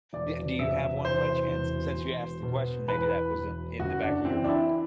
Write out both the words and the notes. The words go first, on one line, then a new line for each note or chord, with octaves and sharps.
Ye do you have one, by chance? Since, you asked the question, maybe that was in in the back of your mind.
E1 D5
C3 E5
E2 C5
E1
E1
B2
E2 B4
E1
F#1 F#4
D4
E3 C4
D4
E4